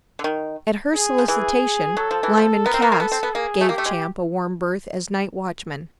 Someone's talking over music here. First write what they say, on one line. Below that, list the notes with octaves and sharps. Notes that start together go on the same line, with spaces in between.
At her solicitation Lyman Cass gave Champ a warm berth as night watchman.
D3
D#3
G#4
F3
E3 G#4
F#3 A4
F3
E3
F3
B3 A#4
C4
B3
A#3
B3 A4
C4
B3
A#3 G#4
A3
A#3 G4
A3
G#3